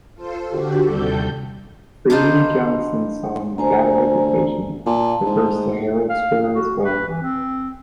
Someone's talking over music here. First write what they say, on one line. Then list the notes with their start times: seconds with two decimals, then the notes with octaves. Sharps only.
Freedy Johnston's song "Bad Reputation" refers to Herald Square as well.
0.14 F4 A4 C5
0.48 D3 F#4 G4
0.83 D#2 C3 G3 A4 G6
2.10 D4 D#4 F4 B4 C5
3.58 D2 C5 G#5 A#5
4.86 A#2 A5
5.25 G#2
6.09 F5
6.54 F#4
6.84 B4
7.08 E3
7.21 C4